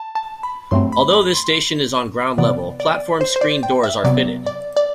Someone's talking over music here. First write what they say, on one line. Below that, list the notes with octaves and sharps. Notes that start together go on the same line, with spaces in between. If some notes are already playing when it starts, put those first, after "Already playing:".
Although this station is on ground level, platform screen doors are fitted.
Already playing: A5
A5
B5
G2 F#3 A3 C4 C6
B5
B5
C6
C3 E3 B3 D5
D5
C5
C5
D5
G5
E5
C3 F#3 B3 D5
D5
D5